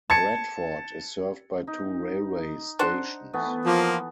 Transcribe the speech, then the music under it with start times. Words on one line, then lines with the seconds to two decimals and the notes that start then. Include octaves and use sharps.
Bradford is served by two railway stations.
0.10 A5 G#6 C#7
1.67 D#4
2.79 D4 C5 F#5
3.33 E3 A3 B3
3.65 F3 A#3